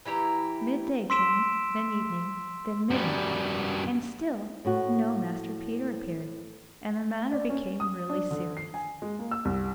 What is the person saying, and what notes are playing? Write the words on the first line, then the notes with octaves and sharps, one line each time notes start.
Mid-day came, then evening, then midnight, and still no Master Peter appeared, and the matter became really serious.
E3 E4 G4 A#5
C6 E6 B6 D7 E7
F#2 G3
A2 F#4
D5
C#4
D#6
D4
D3
C7
G#5
G#3
A#3
E6
C2